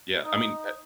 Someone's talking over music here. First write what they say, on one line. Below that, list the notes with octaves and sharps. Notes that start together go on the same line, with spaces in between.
yeah, I mean, uh
D#4 D#6